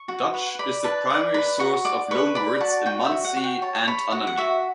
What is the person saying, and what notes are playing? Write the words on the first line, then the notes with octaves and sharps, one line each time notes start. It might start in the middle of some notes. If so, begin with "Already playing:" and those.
Dutch is the primary source of loan words in Munsee and Unami.
Already playing: C#6
F#4
B4
D5 B5
B4 A5
D5
B4 B5
F#4 C#6
D5 D6
B4 C#6
D5 B5
F#4 A5
F#4 G5
E5
F#4
F#5
F#4
G5
C#5 A5
A5
C#5 B5
F#4 F#5
F#5
F#4 E5